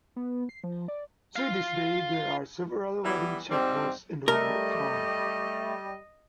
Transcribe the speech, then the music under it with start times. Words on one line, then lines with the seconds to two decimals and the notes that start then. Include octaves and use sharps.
To this day, there are several wedding chapels in the town.
0.16 B3
0.49 C7
0.64 F3
0.88 D5
1.36 F4 F5
3.04 E3 G3 B3
3.51 G#2 F3 G3 C4
4.28 G3 A3 A#4 D#5